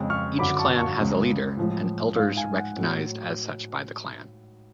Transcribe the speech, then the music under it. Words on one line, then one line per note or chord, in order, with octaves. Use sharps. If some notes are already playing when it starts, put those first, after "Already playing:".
Each Clan has a Leader and Elders recognized as such by the Clan.
Already playing: F2 C#3 G#3
C#6 F6
F#2 D3 F#3 B5 D6
A5 C#6
A5 C#6
C#2 C#3 G#3
A2 F3 G#3
G#2 G#3 F5
F5 G#5
F#5
A2 F#3